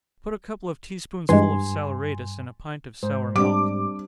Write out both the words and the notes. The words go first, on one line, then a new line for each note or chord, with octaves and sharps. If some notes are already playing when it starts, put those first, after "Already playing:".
Put a couple of tea-spoonsful of saleratus in a pint of sour milk.
G2 E3 G#3 G#5 C6
G#2 C5
G3 C4 D4 D6